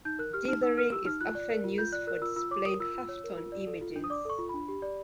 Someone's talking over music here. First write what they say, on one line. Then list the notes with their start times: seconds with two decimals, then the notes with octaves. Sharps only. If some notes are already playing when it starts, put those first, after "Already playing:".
Dithering is often used for displaying halftone images.
0.05 D#4 G6
0.19 A#4 F#6
0.33 G4 F6
0.48 D#4 F6
0.63 D#4 E6
0.77 A#4 F6
0.91 G4 E6
1.06 D#4 F6
1.21 F4 F#6
1.35 D5
1.50 A#4
1.64 F4
1.78 F4 G6
1.92 D5 F#6
2.07 A#4 F#6
2.22 F4 E6
2.36 F4 E6
2.51 C#5 D6
2.66 A#4 D#6
2.80 F4 E6
2.94 F4
3.08 C#5
3.24 A#4
3.37 F4
3.52 D5
3.67 A4
3.81 F4
3.96 D4
4.04 D#6
4.10 D5 D6
4.25 A4 C#6
4.39 F4
4.49 D4 B5
4.68 G4
4.82 D5